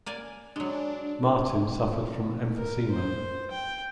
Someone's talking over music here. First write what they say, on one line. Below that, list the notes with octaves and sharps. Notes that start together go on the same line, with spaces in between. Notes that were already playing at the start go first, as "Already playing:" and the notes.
Martin suffered from emphysema.
A#3 D5 G#5
F#3 G#3 D4
A#4
C5
G5